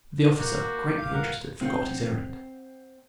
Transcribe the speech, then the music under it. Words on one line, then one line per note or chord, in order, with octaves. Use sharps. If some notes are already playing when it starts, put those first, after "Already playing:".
The officer, greatly interested, forgot his errand.
A#3 F#4 G4
F5
A#4 F#5
C4 F#5 G5